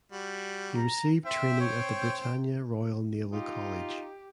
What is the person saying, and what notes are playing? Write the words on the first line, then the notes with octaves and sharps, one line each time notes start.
He received training at the Britannia Royal Naval College.
G3 F#4
A#5
C4 C5 E5 G5
C#5
D#4 F4 G4